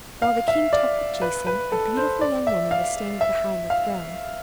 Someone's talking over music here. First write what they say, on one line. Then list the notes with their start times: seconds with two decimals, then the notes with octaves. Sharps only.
While the king talked with Jason, a beautiful young woman was standing behind the throne.
0.22 F5
0.48 E5
0.73 D5
1.22 B4
1.47 B4
1.72 A4
1.96 C5
2.21 D5
2.47 E5
2.71 F5
3.21 E5
3.70 F5